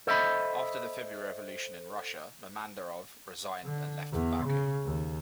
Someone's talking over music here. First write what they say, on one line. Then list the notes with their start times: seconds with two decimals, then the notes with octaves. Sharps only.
After the February Revolution in Russia Mehmandarov resigned and left for Baku.
0.07 A4 C5 D#5 E5 B5
3.65 D3
4.13 E2
4.46 C#3
4.85 D#2